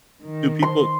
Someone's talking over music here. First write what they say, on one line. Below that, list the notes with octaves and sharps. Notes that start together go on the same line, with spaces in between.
do people
D#3
C6